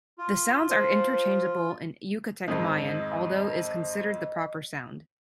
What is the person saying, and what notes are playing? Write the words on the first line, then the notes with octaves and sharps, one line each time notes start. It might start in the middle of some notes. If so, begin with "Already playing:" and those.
The sounds are interchangeable in Yucatec Mayan although is considered the proper sound.
F4
F3
F2 G#2 D#3 D#5